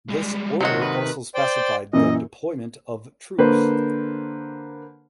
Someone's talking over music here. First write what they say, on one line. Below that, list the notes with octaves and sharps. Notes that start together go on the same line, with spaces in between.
This order also specified the deployment of troops.
G3 G#3
C3 D#3 F#3 G#3 F#4
B4
C5 D5 G5
F#2 A#2 E3 D#5
D3 A#3 B4 C5